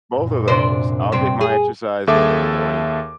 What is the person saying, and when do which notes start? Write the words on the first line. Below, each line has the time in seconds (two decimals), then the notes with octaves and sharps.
both of those I'll get my exercise in in the morning,
0.14 F#2 A#2
0.48 C3 D4 C5
1.12 G2 C3 C4
1.41 G#4
2.07 D#2 G#4 A4 E5 D6